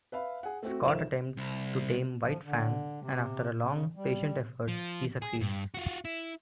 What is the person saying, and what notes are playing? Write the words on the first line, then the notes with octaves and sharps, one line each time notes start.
Scott attempts to tame White Fang, and after a long, patient effort, he succeeds.
B4 E5 F5 B5
G#4 F#5
A3 C4 F#4
B1 F3 A#4 C5 E5 E7
C2
F3
D3
C3
C#3
G3
F3
G#4
G2
F4 F#4
E4